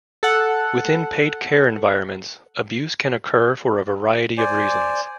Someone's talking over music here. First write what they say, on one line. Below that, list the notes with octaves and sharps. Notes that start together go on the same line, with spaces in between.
Within paid care environments, abuse can occur for a variety of reasons.
A4 F#5
C5 D5 G#5